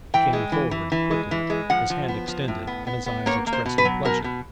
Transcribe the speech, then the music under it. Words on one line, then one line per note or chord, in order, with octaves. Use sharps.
He came forward quickly, his hand extended, and his eyes expressing pleasure.
E3 G5
G#3
E3
E3
E3
G#3
E3
G#3
F3 F#5
F3
B3
F3
A2
B3
B3
B3
A#3 C#5
A#3
C5
B2
B4
F#3
B2 A#4
B2